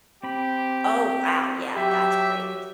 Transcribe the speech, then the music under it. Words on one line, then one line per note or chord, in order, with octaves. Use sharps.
Oh, wow, yeah, that's great.
C4 G4 B5
F#3 G4 E5